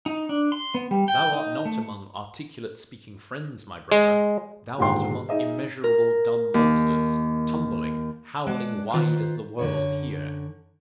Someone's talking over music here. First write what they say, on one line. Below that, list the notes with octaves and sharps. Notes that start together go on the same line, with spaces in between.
Thou art not among articulate-speaking friends, my brother; thou art among immeasurable dumb monsters, tumbling, howling wide as the world here.
D#4
D4
C6
B3
G3
G5
D#4
A3
G#3
D#1 G#1 G#2 D3 G5 C6
D#4 G#4 D#5 E5
A#4
D#2
G#3 B4 D5 F#5 A5
D#3 F4 B4 C5
F#2 D3 C#5